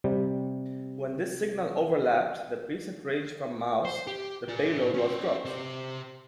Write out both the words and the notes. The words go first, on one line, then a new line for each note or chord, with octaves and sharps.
When this signal overlapped the pre-set range from "mouse", the payload was dropped.
C3 G3
C5
G4
F4 D5
C#4 C5
C4 G4